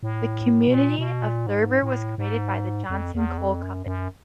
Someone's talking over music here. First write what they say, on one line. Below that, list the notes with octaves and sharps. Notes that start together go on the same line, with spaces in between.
The community of Thurber was created by the Johnson Coal Company.
A2
B2
A#2
B2
A#2
G#2
A2
G#2
F2
E2
F2
F#2
F#2